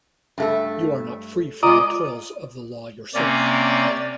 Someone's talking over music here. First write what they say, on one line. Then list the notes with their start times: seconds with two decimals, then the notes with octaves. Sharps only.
You are not free from the toils of the law yourself!
0.38 G2 A3 A4
1.63 G#3 F4 D5 D#5 A#5
3.15 C3 A#3 C#4 D5